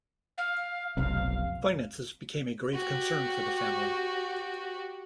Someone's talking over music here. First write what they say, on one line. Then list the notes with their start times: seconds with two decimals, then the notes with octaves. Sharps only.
Finances became a grave concern for the family.
0.37 F5
0.97 F1 B1 C3 F5
2.74 F#4 G4